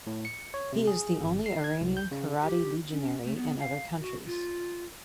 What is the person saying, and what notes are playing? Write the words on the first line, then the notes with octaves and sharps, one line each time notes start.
He is the only Iranian Karate legionary in other countries.
A2
C#7
C#5
C3
G#4
G#1
C7
G#6
C2
G6
C#3
G4
C#4
A3
B3
F5
F#4
F4